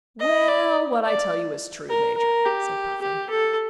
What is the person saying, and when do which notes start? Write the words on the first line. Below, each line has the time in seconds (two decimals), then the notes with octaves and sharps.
"Well, what I tell you is true, Major," said Puffin.
0.20 D#5
0.48 D5
1.05 D5
1.89 A#4
2.17 A#4
2.45 G4
3.02 G4
3.30 A4